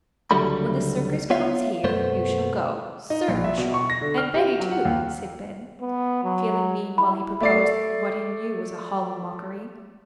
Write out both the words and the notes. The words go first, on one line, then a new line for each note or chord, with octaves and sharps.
"When the circus comes here you shall go, certain sure, and Betty too," said Ben, feeling mean while he proposed what he knew was a hollow mockery.
C#2 D3 F#3 G3 A3 B5
B3 F4 C#5 E5 F5
B1 F#2 A3 B3 C5
D#4
A#1
E5
B2
C#6
A#6
D3
F6
G4
F#3
F#5
D#2
B3
F#3
E4 B5
A3 D5 C7